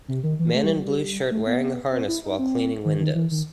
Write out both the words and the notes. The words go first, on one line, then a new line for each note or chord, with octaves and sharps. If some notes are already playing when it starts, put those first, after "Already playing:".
Man in blue shirt wearing a harness while cleaning windows.
C3
D#3
E3
A3
G3
F#3
G3
A3
B3
C4
E4
D#4
C4
D#3
D#3
E3
D#3